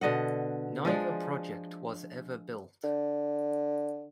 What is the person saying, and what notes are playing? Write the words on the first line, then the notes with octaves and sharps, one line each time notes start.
Neither project was ever built.
B2 D3 D#5 F#5
F3 G#3 D4
D3